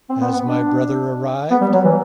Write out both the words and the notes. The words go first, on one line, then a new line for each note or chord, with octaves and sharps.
Has my brother arrived?
C4
B3
B3
D4
B3
G3
F#3
E3